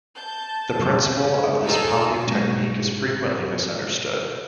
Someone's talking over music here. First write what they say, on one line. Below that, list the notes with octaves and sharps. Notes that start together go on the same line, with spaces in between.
The principle of this pumping technique is frequently misunderstood.
A5 G6
C#4
D#4 F4 A4 G#5 E6 F6
B1 G#2 A#3 C#6 A#6 E7